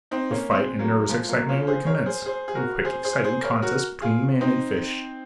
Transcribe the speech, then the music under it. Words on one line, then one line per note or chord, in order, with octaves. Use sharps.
The fight and nervous excitement recommence--the quick, exciting contest between man and fish.
C4 D#4
A#3 C#4
G#3 C4
F#3 A#3
F3 G#3
F#3 A#3
C#4 F4
G#4 C5
A#4 C#5
G#4 C5
G#4 C5
G#4
F#4 A#4
G#4 C5
G#4 C5
G#4 C5
A#4 C#5
F#4 A#4
F4 G#4
C4 D#4